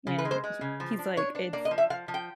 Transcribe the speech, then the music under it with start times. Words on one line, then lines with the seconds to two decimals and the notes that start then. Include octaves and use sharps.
and he he's, like, "It's"
0.07 C#3
0.18 B4
0.25 G#3
0.31 C5
0.44 G#3
0.61 C#3
0.80 F3
0.99 D4
1.17 D4 C#5
1.35 D4
1.53 A#3 D5
1.65 D#5
1.71 F3
1.78 E5
1.90 F3 F5
2.08 F3
2.14 G5